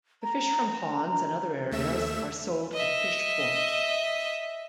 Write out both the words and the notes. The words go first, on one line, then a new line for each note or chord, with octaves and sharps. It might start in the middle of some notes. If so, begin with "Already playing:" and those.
The fish from ponds and other areas are sold at the Fish Port.
A#5
D#2 A3 E5 E7
D#5 E5